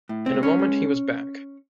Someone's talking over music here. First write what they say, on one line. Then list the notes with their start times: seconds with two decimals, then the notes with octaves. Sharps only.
In a moment he was back.
0.09 A2
0.26 C4
0.34 G#3
0.43 C#4
0.59 G#3